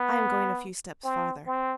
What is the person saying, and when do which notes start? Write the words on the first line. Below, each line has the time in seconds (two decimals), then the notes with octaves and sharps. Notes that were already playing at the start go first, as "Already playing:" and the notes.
"I am going a few steps farther."
Already playing: B3
1.04 C4
1.47 C4